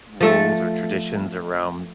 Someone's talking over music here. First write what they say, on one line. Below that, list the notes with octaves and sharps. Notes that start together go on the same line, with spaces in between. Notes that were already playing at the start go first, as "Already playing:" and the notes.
rules or traditions around
F3 A3 A4